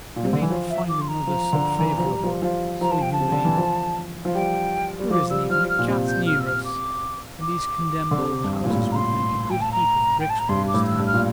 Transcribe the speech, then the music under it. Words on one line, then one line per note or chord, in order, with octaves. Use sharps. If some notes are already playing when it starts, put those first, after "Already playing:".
You may not find another so favourable, so humane. There isn't even a cat near us, and these condemned old houses would make a good heap of bricks where you stand.
A#2
C3
D3
E3
F3
E5
D6
C6
A#5
F3
D3
E3
F3
G3
F3
F3
F3 A#5
A5
G5
A5
C3
D3
E3
F3
F3
G3 G5
G3
F3 D6
G3 E6
F3 F6
F6
A#2
C3
G6
F6
E6
F6
D6
D6
D3
C3
G2
A#2
A2
A#5
C6
G5
A5
A#5
G5
A5
A#5
G2 C6
D6
A2
E6
G2
F6
A#2